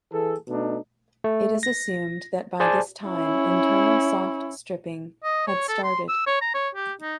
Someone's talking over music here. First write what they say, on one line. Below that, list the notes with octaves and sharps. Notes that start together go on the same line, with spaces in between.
It is assumed that by this time internal soft-stripping had started.
E3 G#4 A4
B2 A3 D4 D#4
A3
A#6
G#4 C5 D5 G#5 A5
C#4 E4
D#5
C#5
A4
C6
E6
C#5
A#5
C#5
G4
D#4